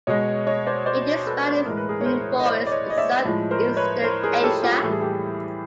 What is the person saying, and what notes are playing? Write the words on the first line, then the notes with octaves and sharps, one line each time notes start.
It is found in forests in south-eastern Asia.
B2 G#3 C#5 D#5
C#5 D#5
C5 D5
C5 D5
A4 B4
A2 E3 G#3 A#4
B4
G#4 A#4
C#5
A#4 C5
D#5
C5 D5
D5
C#5 D#5
D#5
D5 E5
A2 F3 G#3
A#4 C5
B4 C#5
A#4 C5
G#4 A#4
G4 A4
F4 G4
A2 E3 G3 A4
G#4
G4 A4